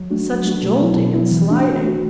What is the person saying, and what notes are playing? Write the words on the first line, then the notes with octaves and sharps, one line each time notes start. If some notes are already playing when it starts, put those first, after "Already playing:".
Such jolting and sliding!
Already playing: F#3
A3 D4 F#4
F#3
A3 D4 F#4
B2
F#3 B3 E4
B2
F#3 B3 E4
E3
A3 D4 F#4
E3
A3 D4 F#4